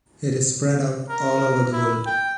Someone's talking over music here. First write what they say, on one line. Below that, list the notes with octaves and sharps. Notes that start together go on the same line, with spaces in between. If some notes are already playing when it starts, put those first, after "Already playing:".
It is spread out all over the world.
A#4
E4
G5